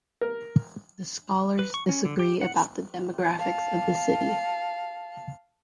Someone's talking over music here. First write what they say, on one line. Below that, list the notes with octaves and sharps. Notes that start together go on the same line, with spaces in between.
The scholars disagree about the demographics of the city.
A#4
B4
C#6
C#4
D3
G4
F#5
F5 A5